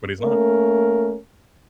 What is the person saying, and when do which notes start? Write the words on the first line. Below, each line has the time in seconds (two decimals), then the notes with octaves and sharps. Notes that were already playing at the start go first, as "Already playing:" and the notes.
but he's not.
0.21 A3 A#3 C#4 A#4